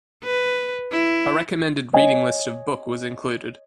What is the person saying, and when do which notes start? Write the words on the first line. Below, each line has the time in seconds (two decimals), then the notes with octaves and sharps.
A recommended reading list of book was included.
0.24 B4
0.92 E4
1.93 C#5 D#5 G#5